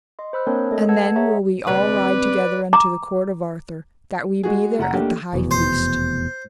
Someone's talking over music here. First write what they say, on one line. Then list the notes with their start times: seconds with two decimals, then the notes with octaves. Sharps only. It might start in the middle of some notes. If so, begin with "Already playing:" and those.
And then will we all ride together unto the court of Arthur, that we be there at the high feast.
0.19 D#5 C6
0.33 C5 B5 E6 F#6
0.47 A#3 C4 D4 A#4 C#5 A5
0.71 A3 A4 D#5
0.89 B4 F#5 A5 E6 G#6
1.16 G#4 C#5 E5 F#5 A#5 C#6
1.67 D2 C3 B4 D5
2.73 A#5 D6
4.43 G#3 F#4 G#4
4.79 F#1 F#5 A#5
4.94 A3 A#3 D4 G4
5.33 F1 E2 B2
5.51 C5